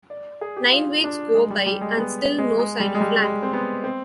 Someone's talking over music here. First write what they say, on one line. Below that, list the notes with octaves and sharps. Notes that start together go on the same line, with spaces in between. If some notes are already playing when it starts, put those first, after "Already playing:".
Nine weeks go by and still no sign of land.
D5
G#4
G4
F4
D4
G#3
G3
G3
G#3
B3
G#3
G#3
G3
G#3
G3
G#3
C4
B3
C4